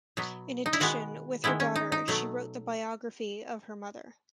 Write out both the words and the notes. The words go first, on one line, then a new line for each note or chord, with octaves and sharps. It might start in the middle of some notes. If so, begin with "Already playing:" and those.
In addition, with her daughter, she wrote the biography of her mother.
B2 F#3 B3
D#4
E4
D#3 G#3 B3 F#4
D#3 G#3 B3 E4
C#4
D#4
D#4
B2 F#3 A3